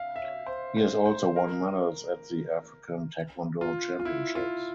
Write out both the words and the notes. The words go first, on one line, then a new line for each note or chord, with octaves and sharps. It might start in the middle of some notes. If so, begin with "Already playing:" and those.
He has also won medals at the African Taekwondo Championships.
Already playing: E5 F5
E5
C5
C5
C5
A#4
F4
F4
E4
F4